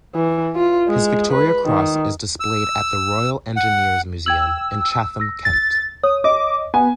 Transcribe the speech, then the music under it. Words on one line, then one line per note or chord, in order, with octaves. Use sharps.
His Victoria Cross is displayed at the Royal Engineers Museum in Chatham, Kent.
E3
F4
G#3
B4
D#3
E6
F#5
G5 E6 G#6 F#7
E6 A#6
A6
C#5 D#6
D#5 D6
B3 G#5